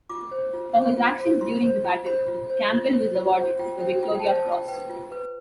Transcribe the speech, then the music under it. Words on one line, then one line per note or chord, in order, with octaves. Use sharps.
For his actions during the battle, Campbell was awarded the Victoria Cross.
F4 D6
C5
F4
C5
F4
C5
F4 C6
C5
F4
C5 B5
F4
C5
F4
C5
F4
C5
F4 G5
C5 G5
F4 G5
G5
C5 A5
A5
F4
G5
B4 G5
F4
B4